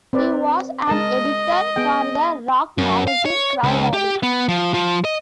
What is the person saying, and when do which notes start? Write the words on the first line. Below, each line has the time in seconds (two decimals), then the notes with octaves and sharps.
He was an editor for the rock magazine Crawdaddy!
0.13 C4 B4 D5
0.87 G#3 A#4 D#5 A5
1.76 B3 G#4 G5
2.78 F#2
3.08 F5
3.26 C#5
3.63 C#2
3.94 G4
4.23 B3
4.49 F3
4.74 F3
5.05 D#5